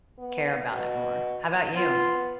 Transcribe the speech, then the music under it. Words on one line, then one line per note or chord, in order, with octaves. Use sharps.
care about it more. How 'bout you?
B3
B2
B3 F4